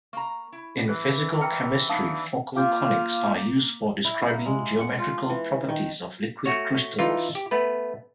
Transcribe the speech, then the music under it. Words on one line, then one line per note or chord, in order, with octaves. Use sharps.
In Physical chemistry focal conics are used for describing geometrical properties of liquid crystals.
A#3 A#5 C#6
E4
E3 F#6
G5 A#5 F6 C#7
B3 D4 D#4 F5 A5 D#6
A#3 F4 F5 D6 G6
E4
A#3
G#3
F#5
F4
E3
D#3
A3 F#4 C#5
E3 D#4 F4
G4
A3 B3 B4